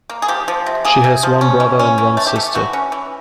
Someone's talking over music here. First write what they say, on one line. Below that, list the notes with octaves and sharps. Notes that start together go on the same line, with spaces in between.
She has one brother and one sister.
A#3
G#4
F3 G4
F3
C3
A#3 G#4
C3
F3
C#4
E3
C#4
E3
A3
G4
A3
E3 F#4
C#4
E3